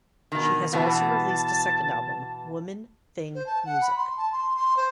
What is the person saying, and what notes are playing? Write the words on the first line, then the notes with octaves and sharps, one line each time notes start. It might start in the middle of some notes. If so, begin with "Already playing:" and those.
She has also released a second album, "Woman Thing Music".
B2 D#3
B2 E3 B3 A5
C5
A5
F#5
B5
C6
A5
C6
C6
C5